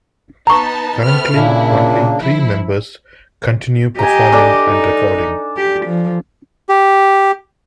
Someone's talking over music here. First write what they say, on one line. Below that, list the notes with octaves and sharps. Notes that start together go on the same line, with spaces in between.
Currently, only three members continue performing and recording.
B3 D#4 A5 A#5 C#6
A3 B3 C4 F6
A#2 C#3 A#3 D4 E4
F3 E4
G4 D#5 G#5 A#5
D4 A4 D6
D#4
G4
F3
G4